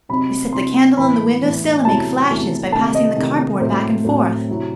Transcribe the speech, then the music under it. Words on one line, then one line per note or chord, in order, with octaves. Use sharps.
We set the candle on the window sill and make flashes by passing the cardboard back and forth.
C3 F#3 C4 D#4 B5
C3 F#3 C4 D#4 C6
A2 E3 B3 B5
A2 E3 B3
E2 C3 F#3 A3 E4 A5
E2 C3 F#3 A3 E4
C3 D#3 A3 A5
D#5
C3 D#3 A3
A2 F#3 A3 C4 C5
A2 F#3 A3 C4
C3 F#3 C4 E4